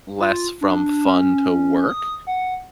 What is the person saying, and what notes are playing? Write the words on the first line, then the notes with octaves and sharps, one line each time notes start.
less from fun to work,
F4
D4
C#4
D#6
F#5